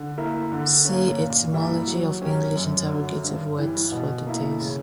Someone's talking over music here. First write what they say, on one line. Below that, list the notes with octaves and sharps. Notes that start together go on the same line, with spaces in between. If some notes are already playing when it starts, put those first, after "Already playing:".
See etymology of English interrogative words for details.
Already playing: D3
A#3 E4 A#4
D3
A#3 C#4
A#2
G3 A#3 E4
F#3
C#4 G4 A#4
F#2
D3 F#3
G2
E3 G3
B2
A#3 E4
C#3